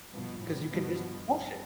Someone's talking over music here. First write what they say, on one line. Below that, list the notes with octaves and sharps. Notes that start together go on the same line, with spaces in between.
'Cause you can just wash it.
G2 B2 F3 B3
A2
G2 B2 F3 B3